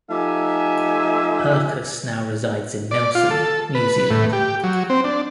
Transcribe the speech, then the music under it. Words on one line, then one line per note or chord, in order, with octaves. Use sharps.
Hercus now resides in Nelson, New Zealand.
F3 A3 D#4 G4 E5 G#5
D5
F4
A4
B4
A2
G4
F#3
C4
D4